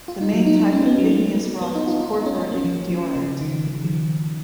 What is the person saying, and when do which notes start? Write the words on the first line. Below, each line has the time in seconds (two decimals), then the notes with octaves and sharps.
The main type of igneous rock is porphyritic diorite.
0.08 F4
0.21 D#4
0.34 F#3
0.46 D#4
0.59 D#4
0.72 C#4
0.86 B3
0.98 F#3
1.11 A#3
1.62 B3
1.75 D#4
1.88 F4
2.01 D#4
2.13 D#4
2.26 C#4
2.39 C#4
2.52 A#3
2.64 F3
2.90 F3
3.16 C#3
3.41 D#3
3.67 D#3
3.84 F3